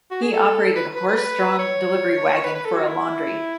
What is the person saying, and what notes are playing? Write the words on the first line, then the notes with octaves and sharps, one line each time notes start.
He operated a horse-drawn delivery wagon for a laundry.
F#4
G#4
A4
B4
B4
B4
B4
C#5
B4
B4
A4
F#4
E4